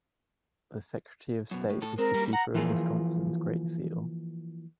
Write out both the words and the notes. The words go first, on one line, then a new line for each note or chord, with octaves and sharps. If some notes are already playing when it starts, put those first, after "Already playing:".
The Secretary of State is the keeper of Wisconsin's great seal.
F#2 B2
A2
A2 A4
G#3 C4 A#4
G3 A#3
F#5 A#5
E3 F3 A#3 F4 G#4